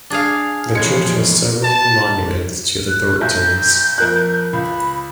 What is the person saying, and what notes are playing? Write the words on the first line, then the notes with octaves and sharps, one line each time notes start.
The church has several monuments to the Thorntons.
D4 G#4 F5
E2 A#2 C#3 F3 G#3 G#6 C#7
A5
F#6
B1 G6
F2 A#4 F#6
C#2 B5